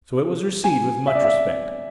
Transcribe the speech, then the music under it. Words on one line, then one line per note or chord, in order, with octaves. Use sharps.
So it was received with much respect.
G#5
E5
D5
E5